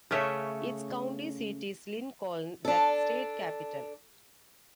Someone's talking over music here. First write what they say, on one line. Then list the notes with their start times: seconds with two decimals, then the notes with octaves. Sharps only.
Its county seat is Lincoln, the state capital.
0.11 C#3 A3 C#4 E5
2.65 D4 A4